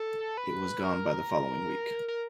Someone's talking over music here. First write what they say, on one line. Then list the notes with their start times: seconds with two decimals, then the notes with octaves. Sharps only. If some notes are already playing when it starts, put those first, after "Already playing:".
It was gone by the following week.
Already playing: A4
0.37 B4
0.84 A#4
2.08 A#4